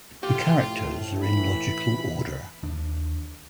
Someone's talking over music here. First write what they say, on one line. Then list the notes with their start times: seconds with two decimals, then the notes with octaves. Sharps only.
The characters are in logical order.
0.23 A2 F3 A3 F4 G4
1.23 E3 B5
2.63 D#2 D4